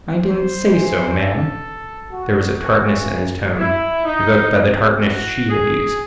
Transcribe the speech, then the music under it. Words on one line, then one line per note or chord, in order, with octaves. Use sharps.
"I didn't say so, ma'am." There was a tartness in his tone evoked by the tartness she had used.
C5
A2 E3
A4
F#4
C#3 E3 F#4
E4
D#4
C3 E3
F#4
G#4